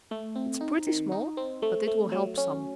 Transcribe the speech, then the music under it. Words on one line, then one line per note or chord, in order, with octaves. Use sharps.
"It's pretty small, but it will help some."
A3
C4
D#4
D#3
D#4
C4
A3
A3
F#3
C#4